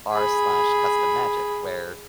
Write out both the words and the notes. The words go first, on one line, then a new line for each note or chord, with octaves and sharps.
r/custommagic, where,
G#4 B5